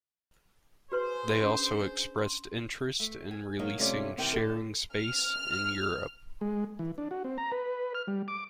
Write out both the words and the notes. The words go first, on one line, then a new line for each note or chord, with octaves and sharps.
They also expressed interest in releasing "Sharing Space" in Europe.
F#4 G#4 B4 C5 C6
C#4 D4 C6
C6
A3
G#5
D#3 F#3 A#3 C#5 D#5
C3 G3 A3 C#4 F4 D5
E2 C3 D#3 E4 G5
D3 A4
F6
G#3
E3
D4
F#4
C4
A#5
B4
F6
G3
D6